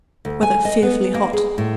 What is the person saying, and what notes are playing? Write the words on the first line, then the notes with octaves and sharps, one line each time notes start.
Weather fearfully hot.
D2
G#5
D#5
B3
A#3
G#4
A2